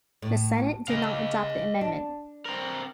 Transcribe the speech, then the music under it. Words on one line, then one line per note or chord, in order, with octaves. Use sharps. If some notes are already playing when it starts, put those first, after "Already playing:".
The Senate did not adopt the amendment.
A2
C#3 D#5 F5
D4
C4 A#4